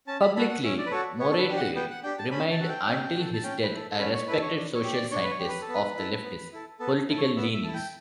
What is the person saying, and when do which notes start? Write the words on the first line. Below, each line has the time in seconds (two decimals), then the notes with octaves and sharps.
Publicly, Morote remained until his death a respected social scientist of leftist political leanings.
0.07 C#4 A5
0.22 B5
0.36 F#4 A4 B5
0.49 F#5
0.64 C#4 E5
0.78 D5
0.86 B4
0.91 F#4 A4 C#5
1.19 B3 C#5
1.31 A4
1.39 B4
1.48 D4 G4
1.56 F#5
1.75 B3 G5
1.90 F#5
2.03 D4 G4 G5
2.18 A5
2.31 C#4 B5
2.51 A5
2.59 F#4 A4 F#5
2.69 G5
2.87 C#4
3.16 F#4 A4
3.33 A5
3.43 C#4 G5
3.62 B4
3.71 E4 A4
3.91 A4
3.99 C#4 B4
4.14 C#5
4.27 E4 A4 B4
4.42 C#5
4.56 D4
4.74 C#5
4.84 G4
4.93 D5
5.11 D4 C#5
5.22 B4
5.30 C#5
5.39 G4
5.49 B4
5.62 A4
5.68 B3
5.74 B4
5.96 E4 A4
6.23 B3
6.52 E4 A4
6.79 B3 A4
7.08 E4 A4
7.18 C#5
7.36 B3 E5
7.54 E5
7.64 E4 A4
7.74 G5